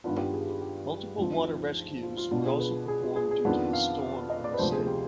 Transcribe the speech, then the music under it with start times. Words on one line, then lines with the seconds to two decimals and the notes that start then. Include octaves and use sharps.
Multiple water rescues were also performed due to the storm in the state.
0.04 G2 D#3 B3 D4 F4
0.18 G4
0.33 G#4
0.47 F4
0.62 G4
1.18 D2 D3 F3 C4 F4
1.32 D#4
2.03 F4
2.17 F4
2.31 B2 B3 D4 F4
2.46 G#4
2.59 B4
2.88 G#4
3.02 F4
3.16 G#4
3.31 G#4
3.45 F2 D#3 B3 D4 F4
3.73 F5
4.30 D#5
4.44 D5
4.54 B4
4.58 D2 C3 F3 B3 C5
4.72 G#4
4.87 G4